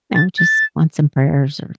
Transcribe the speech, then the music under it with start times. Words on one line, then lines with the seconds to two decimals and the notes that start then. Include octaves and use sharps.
you know, just want some prayers or
0.15 A6
0.38 A6